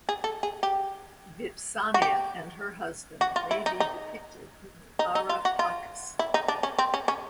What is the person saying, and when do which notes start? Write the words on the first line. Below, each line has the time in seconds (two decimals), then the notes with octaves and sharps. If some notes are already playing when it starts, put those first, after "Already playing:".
Vipsania and her husband may be depicted in the Ara Pacis.
0.09 G#4
0.24 A4
0.43 G#4
0.63 G4
1.94 F#4
2.02 G4
3.21 F#4
3.36 F4
3.51 E4
3.66 D#4
3.80 D#4
4.99 D#4
5.15 D#4
5.29 F4
5.45 F#4
5.59 F4
6.19 E4
6.34 D#4
6.48 D4
6.63 C#4
6.78 C4
6.94 C#4
7.08 C#4